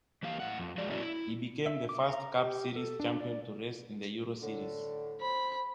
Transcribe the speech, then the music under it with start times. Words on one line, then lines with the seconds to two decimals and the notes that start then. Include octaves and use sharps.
He became the first Cup Series champion to race in the Euro Series.
0.23 E3 A#3 G4 F5
0.40 A2 F#5
0.58 F2
0.78 F3 G#3 F#4 G#4 D5
0.90 A3 A#3 C#4 E4 F#4 D5
1.03 E4
1.66 E5
1.89 D6
2.09 A#5
2.38 G4
2.76 A4
3.00 D4
3.20 D5
4.42 A2 D3
5.21 C5 B5